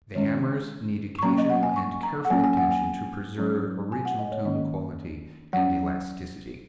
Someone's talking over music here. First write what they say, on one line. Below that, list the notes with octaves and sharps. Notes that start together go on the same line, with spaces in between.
The hammers need occasional and careful attention to preserve original tone quality and elasticity.
D#3 G#3 C#4 C#5
C#6
F#3 A#3 C#4 A#5
D#5
F#5
G#5
C#6
A#5
F#5
F#3 A#3 C#4 G#5
G#5
F#5
G#5
F#3 C#4
G#5
F#5
D#5
C#5
D#3 A#3 C#4 D#5
F#3 C#4 F#5